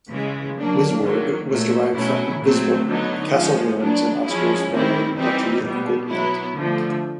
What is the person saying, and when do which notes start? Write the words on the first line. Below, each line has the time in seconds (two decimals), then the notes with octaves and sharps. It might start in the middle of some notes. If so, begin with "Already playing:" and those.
"Wisborg" was derived from Visborg, castle ruins in Oscar's former Duchy of Gotland.
0.10 C#3 E3 G#3
0.57 F#3 A#3 D4
1.03 D#3 F#3 A#3
1.49 A#2 F#3 A3
1.94 B2 F#3 A3 C#4 E4
2.41 A#2 F#3 A3 C4
2.86 D3 F#3 B3 D#4
3.33 F3 G#3 C#4
3.79 F#3 B3 D4
4.24 F3 G#3 C#4 E4
4.70 D#3 G3 C4 E4
5.16 E3 G3 C4 D#4
5.62 B2 G3 B3
6.08 F#3 B3 E4
6.54 D3 F3 A3